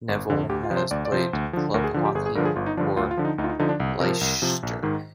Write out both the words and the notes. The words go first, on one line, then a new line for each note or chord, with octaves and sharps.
Nevill has played club hockey for Leicester.
G1
F2 D3
D2 G4
F4
C3 F3
C5
D2 D5
D5
C3 F3 C5
D2
D3 F3
D2 A#4
G#4
D3 F3
G4
G1 G#4
G#4
G2 D3 F3 A#4
G#4
G1 F4
D#4
G2 D3 F3 D4
D2 F4
F4
D3 F3
D#4
D2 D#4
F4
D#4
D3 F3 D#4
D4
C2
C3 F3 A#4
C2
C3 F3
A#1
G#2 D#3